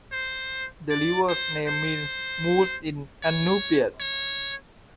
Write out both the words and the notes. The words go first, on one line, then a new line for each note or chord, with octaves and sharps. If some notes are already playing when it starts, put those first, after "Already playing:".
The river's name means "Moose" in Inupiat.
C5
D5
C5
C5
C#5
C#5